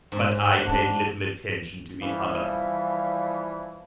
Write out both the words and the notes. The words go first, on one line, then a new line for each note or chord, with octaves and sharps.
But I paid little attention to the hubbub.
G#2
F#5
D4
E3 F3 G3